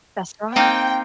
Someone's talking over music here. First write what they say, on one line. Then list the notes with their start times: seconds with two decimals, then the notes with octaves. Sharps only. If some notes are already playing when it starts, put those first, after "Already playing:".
That's right.
0.56 A#3 C4 D#4 G5